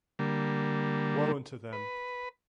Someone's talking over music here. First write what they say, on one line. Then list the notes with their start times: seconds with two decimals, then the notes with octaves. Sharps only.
Woe unto them!
0.19 D3 G3 A#3
1.73 B4